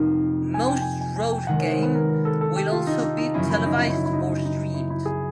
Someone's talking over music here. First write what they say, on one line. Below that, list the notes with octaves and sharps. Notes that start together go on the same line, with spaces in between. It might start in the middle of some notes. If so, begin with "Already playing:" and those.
Most road game will also be televised or streamed.
Already playing: F2 C3 F3 A#3 D#4
G#5
G5
G#5
G#5
G#5
G5
C3 D#3 G#3 F#5
C#5
C5
B4
A#4
A#4
A4
A4
G4
F4
D#4
D#4
D#4
F#2 C#3 F3 A#3 C#4 E4
E4
D#4
E4
D#4
E4
D#4
E4
D#4
E4
D#4
E4
D#4
E4
E4
G#4